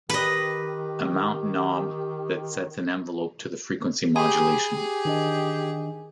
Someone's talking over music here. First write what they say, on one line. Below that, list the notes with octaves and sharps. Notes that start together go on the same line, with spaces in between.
Amount knob that sets an envelope to the frequency modulation.
D#3 G4 B4 D#5
G4 G#4 G#5 B5 D#6
G4
D#3 D4 D#5